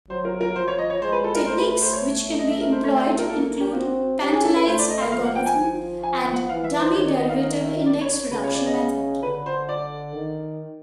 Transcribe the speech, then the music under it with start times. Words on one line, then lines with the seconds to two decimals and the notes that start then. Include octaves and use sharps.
Techniques which can be employed include "Pantelides algorithm" and "dummy derivative index reduction method".
0.10 F#3 C5
0.25 A#4
0.41 A#4
0.56 F3 C5
0.68 C#5
0.79 D#5
0.90 C#5
1.02 G#3 C5
1.12 B4
1.24 A4
1.35 A#4
1.46 A3 C5
1.58 B4
1.70 B4
1.82 C5
1.93 C#5
2.39 D#5
2.50 E5
2.61 A#4
2.72 C5
2.83 A3 C#5
2.96 D5
3.06 A4
3.19 A#4
3.29 A#3 A4
3.60 G4
3.75 C4 F#4
4.20 C#4 G4
4.32 G#4
4.44 A4
4.56 B4
4.66 A3 C5
4.79 D5
4.90 D#5
5.01 F5
5.12 F3 F5
5.23 F#5
5.35 G5
5.46 G#5
6.03 G#5
6.18 G5
6.34 F#5
6.49 E3 F5
6.64 E5
6.79 C5
6.95 D#3 C#5
7.07 D5
7.18 D#5
7.29 F5
7.40 D#5
7.64 E5
7.86 D5
8.01 C#5
8.16 C#5
8.31 C#3 B4
8.44 C#5
8.54 D5
8.66 D#5
9.23 D3 B4
9.46 C5
9.69 D5
10.15 D#3